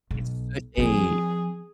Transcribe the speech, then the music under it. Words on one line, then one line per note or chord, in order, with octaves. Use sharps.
it's such a
B1
F3 C4 G#4